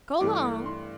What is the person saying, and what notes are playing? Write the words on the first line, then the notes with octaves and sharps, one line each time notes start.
Go 'long.
G2 E3 A3 D6
C6